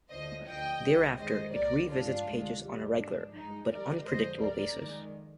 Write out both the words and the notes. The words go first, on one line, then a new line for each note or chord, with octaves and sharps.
Thereafter it revisits pages on a regular, but unpredictable basis.
D2 D3 F3 C5 D#5
D2 D3 F3 D#5 G5
C2 C3 G3
F2 D#3 G#3 C5 D#5
C2 A#2 G3 A#4 D5
G2 F3 G#3 D4 F4
D2 C3 D#3 G#3
D#2 D#3 G3
G#2 F3 G#3 D4
G2 F3 G#3 D#4
F2 D#3 G3 A#4 D5
F2 D3 F3 G#3 C5 D#5
D2 C3 G3 A#4 D5
F2 D#3 G#3